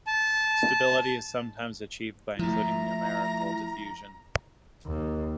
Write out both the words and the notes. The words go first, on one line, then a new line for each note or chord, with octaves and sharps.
Stability is sometimes achieved by including numerical diffusion.
A5
F3 A3 E4 A#5
D#2